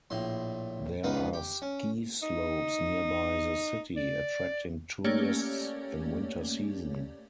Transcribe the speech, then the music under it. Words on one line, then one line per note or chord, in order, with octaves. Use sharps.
There are ski slopes nearby the city, attracting tourists in winter season.
A#1 A2 C6
C#2 B3 D#4 B4 F5
G4
C#4
D#4
D5
A3 A#3 C#4 G4 C#5 D5